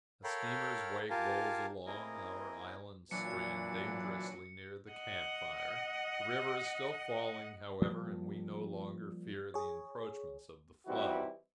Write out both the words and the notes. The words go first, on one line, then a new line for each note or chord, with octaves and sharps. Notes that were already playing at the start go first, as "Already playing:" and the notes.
A steamer's wake rolls along our island strand, dangerously near the camp-fire; the river is still falling, however, and we no longer fear the encroachments of the flood.
A4 A#4 C#5 F5 G5 B5
F4 G4 A#4 F5 G#5 A5
A#3 C4 E4 G#4 A#4 D#5
A#2 E3 F#3 D4 C#7
D#5 F#5
F3 G3 A#3
G#4 C#5
E3 G3 C4 D#4 E4 F#4